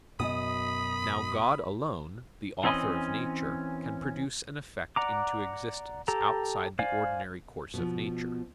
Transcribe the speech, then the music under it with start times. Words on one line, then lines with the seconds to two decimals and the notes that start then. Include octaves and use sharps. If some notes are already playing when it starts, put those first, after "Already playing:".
Now God alone, the Author of nature, can produce an effect into existence outside the ordinary course of nature.
0.20 F#2 B2 D#5 B5 D#6
2.64 E3 C4 C#4 D#5
4.96 D5 F#5 A#5 D6
6.08 G4 A4 A#5
6.79 C5 D5 F5 G#5
7.74 B2 F3